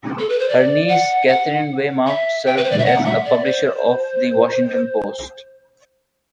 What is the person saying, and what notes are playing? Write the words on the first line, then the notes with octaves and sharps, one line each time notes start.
Her niece, Katharine Weymouth, served as publisher of "The Washington Post".
A4
B4
C5
D5
F#5
F#5
E5
G5
B4
C5
D5
E5
F#5
E5
D5
C5